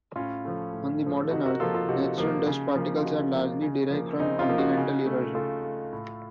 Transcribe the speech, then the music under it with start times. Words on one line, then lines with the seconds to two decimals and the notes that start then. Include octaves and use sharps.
On the modern Earth, natural dust particles are largely derived from continental erosion.
0.16 A2 C#4 F4
0.45 F3 A3
0.73 A2
1.02 F3 A3
1.23 A4
1.31 C3 D#4 F#4
1.46 F#4 A#4
1.60 F3 A#3 F4 A4
1.74 F4 A4
1.89 C3 D#4 F#4
2.18 F3 A#3
2.46 C#3
2.75 F3 A#3
2.97 F4
3.04 C#3 D#4 F#4
3.33 F3 A#3
3.62 C#3
3.90 F3 A#3
4.19 C#3 C4 D#4
4.39 C#4 F4
4.49 F3 A#3
4.58 D#4 F#4
4.77 C#3
5.06 A3
5.34 C#3 F4 A4
5.64 A3
5.93 A2